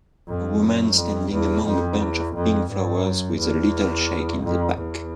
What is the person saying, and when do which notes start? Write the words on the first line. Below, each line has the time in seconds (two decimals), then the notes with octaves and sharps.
A woman standing among a bunch of pink flowers, with a little shack in the back.
0.28 F2
0.63 F#2
0.97 F2
1.32 E2
1.67 F2
2.01 E2
2.36 F2
2.71 G2
3.05 F#2
3.39 E2
4.43 F2
4.78 E2